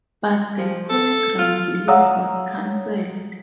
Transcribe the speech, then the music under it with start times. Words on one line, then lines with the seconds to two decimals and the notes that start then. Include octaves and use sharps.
But the PolyGram release was canceled.
0.57 F3
0.89 A4
1.38 F4
1.88 C#5 F5 F#5 A#5 D#6 E6